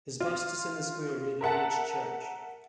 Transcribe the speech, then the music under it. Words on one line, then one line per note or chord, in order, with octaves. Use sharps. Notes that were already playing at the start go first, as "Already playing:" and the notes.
His bust is in the square near the village church.
F4
A#4 E5 F#5 A5